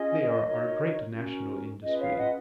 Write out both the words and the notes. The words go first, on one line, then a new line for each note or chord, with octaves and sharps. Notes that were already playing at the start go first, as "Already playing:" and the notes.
"They are our great national industry."
Already playing: C#4 F4 G#4 D#5
D#4 F#4 A#4 C#5
C#4 F#4 A#4
C#4 F4 G#4 B4 D#5
C#5 F5
D#5 F#5